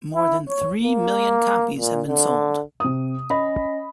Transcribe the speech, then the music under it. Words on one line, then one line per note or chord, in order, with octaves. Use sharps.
More than three million copies have been sold.
E4
C#5
A#3
A#2
D3
C3 D#6
C#4 D#5 B5